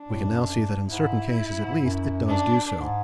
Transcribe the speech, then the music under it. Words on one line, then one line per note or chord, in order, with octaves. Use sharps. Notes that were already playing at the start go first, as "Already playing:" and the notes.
We can now see that in certain cases, at least, it does do so.
Already playing: D4
A2
F#2
G#2 E4
G#2
F#2
D4
G#2